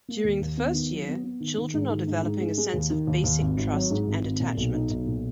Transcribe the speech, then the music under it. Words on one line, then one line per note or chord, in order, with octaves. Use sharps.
During the first year, children are developing a sense of basic trust and attachment.
A#3
D#2
D#2
B3
D#3
F#3
B3
B3
D#3
D#3
G#2
D#3
G#2
G#2
G#3
G#3
D#2
D#3
D#2
D#2
G#1
G#1
F#3
G#2
G#1
G#1
A#2
B1
D#4
B1
A#2